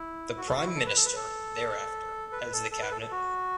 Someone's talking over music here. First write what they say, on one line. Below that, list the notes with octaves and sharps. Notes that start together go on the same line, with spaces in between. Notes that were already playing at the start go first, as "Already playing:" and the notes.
The prime minister thereafter heads the Cabinet.
Already playing: E4
F#4
A4
F#4
E4
A4
B4
A4
B4
A4
B4
A4
A4
B4
A4
A4
F#4